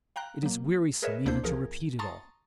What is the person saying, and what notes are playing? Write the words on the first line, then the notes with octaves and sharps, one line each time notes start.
It is wearisome even to repeat it all!
F5 G5 A#5 F#6
F#3 A#3
G#4 A#4 B4 C#5 D#5 E5
D2 A#3 D4 E4 C5 G6
C2 E3 F3 G#4 A#4
A5 A#5 C6 C#6 D#6 A6